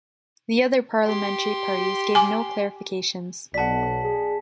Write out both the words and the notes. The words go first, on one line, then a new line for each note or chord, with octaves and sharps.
The other parliamentary parties gave no clarifications.
G4 C6
G#5 D6
B1 D5 F#5 A5 B6
G#4